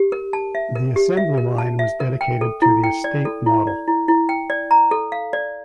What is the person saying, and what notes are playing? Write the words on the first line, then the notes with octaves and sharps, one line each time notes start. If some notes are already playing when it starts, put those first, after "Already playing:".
The assembly line was dedicated to the estate model.
Already playing: G4
A#4
A5
E5
A#4
G4
E5
A#4
A5
E5
A#4
G5
A4
E4
G5
D5
A4
E4
D5
E4
E4
G5
D5
A#5
A4
F5
D5